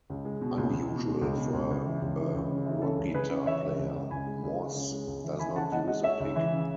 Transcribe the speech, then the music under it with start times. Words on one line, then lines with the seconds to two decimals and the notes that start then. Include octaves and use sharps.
Unusual for a rock guitar player, Morse does not use a pick.
0.10 C#2
0.25 G#3
0.41 B2
0.57 C#2
0.73 C#2
0.90 B2
1.06 G#3
1.21 C#2
1.38 B2
1.54 C#2
1.71 C#2
1.86 E3
2.02 C#2
2.18 E3
2.35 C#2
2.50 C#3
2.66 E3
2.82 C#3 A4
2.99 C#2
3.14 C#2 G#4 B4
3.30 C#3
3.46 E3 C#5 E5
3.62 C#2
3.79 C#2
3.96 C#2
4.10 C#2 G#5 B5
4.26 G#3
4.43 C#2
4.59 G#3
4.75 C#3
4.92 G#3
5.07 C#2
5.24 E3
5.39 E3 G#5 B5
5.55 C#3 F#5 A5
5.72 G#3 D#5 F#5
5.88 G#3 D#5 F#5
6.03 G#3 C#5 E5
6.20 C#2
6.36 E3
6.53 C#3